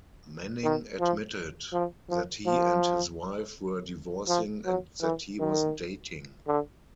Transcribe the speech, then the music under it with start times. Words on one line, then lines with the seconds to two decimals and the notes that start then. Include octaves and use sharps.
Manning admitted that he and his wife were divorcing and that he was dating.
0.64 D#3
1.00 F3
1.73 F3
2.10 F3
2.46 F3
4.28 F3
4.65 F#3
5.02 E3
5.39 D#3
6.48 D3